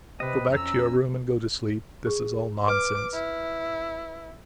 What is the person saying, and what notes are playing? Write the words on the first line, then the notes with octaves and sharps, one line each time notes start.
"Go back to your room and go to sleep. This is all nonsense."
C3 B4 D#5
F2 C#4 A#5 E6
G#4
B4 D6 F6
E4